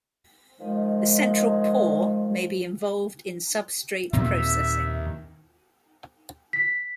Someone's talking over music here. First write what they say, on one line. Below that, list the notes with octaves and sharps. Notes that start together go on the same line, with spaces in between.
The central pore may be involved in substrate processing.
D#3 F3 G#3
D#2 A#2 C4 E5
B6